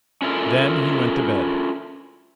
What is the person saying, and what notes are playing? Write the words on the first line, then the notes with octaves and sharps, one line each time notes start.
Then he went to bed.
C#4 D4 E4 F4 A4 A#4